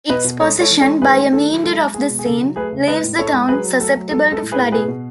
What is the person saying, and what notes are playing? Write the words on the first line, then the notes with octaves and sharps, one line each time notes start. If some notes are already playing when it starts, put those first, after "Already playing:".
Its position by a meander of the Seine leaves the town susceptible to flooding.
B2 B4 D#5
B2
G#3 A4 C#5
G#3
A4 C#5
E3
A4 C#5
G#3
D#3 G#4 B4
A3
D#3 A4
F#3
G#3 A4
G#3
G#3 G#4
B2
G#4
C#3 A4
F#3
A3 G#4 B4
C#3
G#3 B4 D#5
A2
A2 A4 C#5
G#3
F#3 G#4 B4
F#3
A3 A4
F#3
G#3 A4
G#3
A4
A2
G#4 B4
A2
B2 G#4 B4
B2